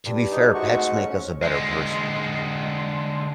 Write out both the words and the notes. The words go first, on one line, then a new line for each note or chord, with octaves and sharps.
To be fair, pets make us a better person.
G2
D#4
G#2 A3 F#4 C#6
C#4
D3 G#3